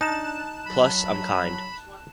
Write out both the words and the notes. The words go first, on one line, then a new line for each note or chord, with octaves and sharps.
Plus I'm kind.
D4 D#4 A5 F#6 E7
F#3 B5